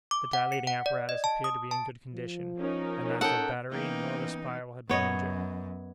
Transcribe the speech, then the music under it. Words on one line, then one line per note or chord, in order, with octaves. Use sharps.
The dilating apparatus appeared to be in good condition, and neither the battery nor the spiral had been injured.
D6
F#5
C#7
F#5
D5
D#5
A5
D#6
A5
F3
C#4 D#4 A#4
A4 F#5 G5
E3 A#3 B3 C#4 D#4 G5
F#2 B3 C#5 D#5